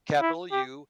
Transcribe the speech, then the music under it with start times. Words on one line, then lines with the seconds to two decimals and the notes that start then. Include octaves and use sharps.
capital U,
0.21 E4
0.52 G4